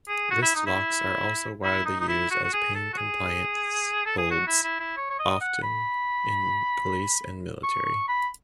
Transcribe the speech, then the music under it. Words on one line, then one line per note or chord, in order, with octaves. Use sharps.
Wristlocks are also widely used as pain compliance holds, often in police and military.
G#4
F#4
E4
D#4
E4
E4
D#4
D#4
E4
F#4
F#4
G#4
A4
F#4
G#4
A4
G#4
F#4
E4
E4
E4
C#5
C#5
D#5
F#5
B5
C#6
C#6
B5